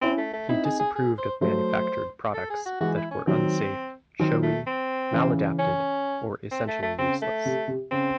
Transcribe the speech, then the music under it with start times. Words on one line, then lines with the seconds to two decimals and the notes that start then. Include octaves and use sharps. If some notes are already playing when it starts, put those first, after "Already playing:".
He disapproved of manufactured products that were unsafe, showy, maladapted, or essentially useless.
0.02 C4 C#4 E4
0.18 A3
0.34 A3
0.49 C4 D#4 E4
0.65 G#4
0.80 G#4
0.96 G#4
1.18 C5
1.41 F#3 A3 C5
2.34 A4
2.50 G#4
2.66 F#4
2.80 E3 G#3 F#4
2.97 E4
3.11 C#4
3.27 D#3 F#3 C4
4.19 D#3 F#3 C4
4.43 A3
4.67 C4
5.13 C#3 E3
5.59 C#4
6.51 C4
6.68 A3
6.83 A3
6.98 C#3 C4
7.22 A3
7.45 C3
7.68 C3
7.91 C#3 C4